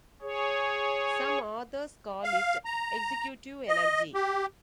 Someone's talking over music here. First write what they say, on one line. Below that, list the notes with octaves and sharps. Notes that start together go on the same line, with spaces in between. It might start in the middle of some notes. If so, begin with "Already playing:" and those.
Some authors call it "Executive Energy".
G#4 C#5
F5
A#5
D#5
G4